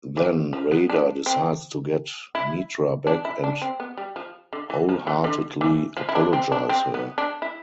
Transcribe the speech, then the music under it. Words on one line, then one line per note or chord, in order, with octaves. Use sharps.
Then Radha decides to get Mitra back and wholeheartedly apologize her.
E3
F3
B3
D4
C4
E4
D4
E4
D4
C4
B3
G3
F3
D3
E3
F3
E3
D3
E3
F3
E4
D4
C4
D4
C4
B3
D4
E4